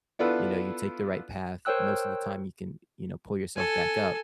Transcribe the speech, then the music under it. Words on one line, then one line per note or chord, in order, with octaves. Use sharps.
you know, you take the right path, most of the time you can, you know, pull yourself back up.
B3 D4 E4 F4 A4 B4
A#4 C5 C#5 G5 E6 F#6
A4 G#5